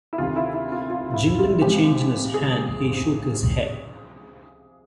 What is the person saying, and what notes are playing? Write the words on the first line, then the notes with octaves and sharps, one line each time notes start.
Jingling the change in his hand he shook his head.
E4
D2 C3 D#3 F4
E4
E4
F4
F4
E4
F4
C#2 C3 F3 G#3 G4
G#4